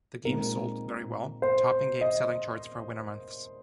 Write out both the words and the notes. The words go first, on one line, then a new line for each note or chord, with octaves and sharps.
The game sold very well, topping game selling charts for winter months.
A#2 G#3 C4 D#4 A#4
C5
D#5